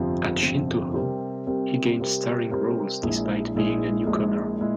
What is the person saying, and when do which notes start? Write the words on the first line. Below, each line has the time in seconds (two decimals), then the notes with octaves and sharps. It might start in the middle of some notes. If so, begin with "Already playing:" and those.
At Shintoho he gained starring roles despite being a newcomer.
Already playing: G1 F2 C3 F3 C4
0.42 G1 F2 C3 F3 C4
0.94 C3 G3 C4 G4 A#4
1.47 C3 G3 C4 G4 A#4
1.99 C3 G3 C4 G4 A#4
2.51 C3 G3 C4 G4 A#4
3.02 A#1 A#2 G#3 E4 G#4
3.54 A#1 A#2 G#3 E4 G#4
4.07 A#1 A#2 G#3 E4 G#4
4.60 A#2 G#3 E4